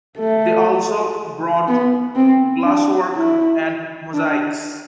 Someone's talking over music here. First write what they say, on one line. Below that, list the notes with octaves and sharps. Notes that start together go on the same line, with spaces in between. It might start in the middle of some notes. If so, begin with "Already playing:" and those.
They also brought glasswork and mosaics.
A3
B3
C4
D4
E4
D4